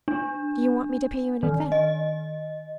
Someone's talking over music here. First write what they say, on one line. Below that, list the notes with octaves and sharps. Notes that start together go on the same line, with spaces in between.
Do you want me to pay you in advance?
D4
D#3
D#5